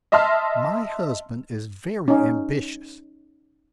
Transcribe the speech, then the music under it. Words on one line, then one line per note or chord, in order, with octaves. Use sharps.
My husband is very ambitious.
D#5 E5 A5 C6 F6
C#4 D#4